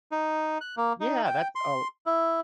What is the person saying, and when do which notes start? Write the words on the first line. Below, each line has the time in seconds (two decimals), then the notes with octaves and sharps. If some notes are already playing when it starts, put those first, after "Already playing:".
Yeah. That's Oh
0.11 D#4
0.61 F#6
0.77 A#3
1.01 D#4
1.25 G5
1.55 C6
2.06 E4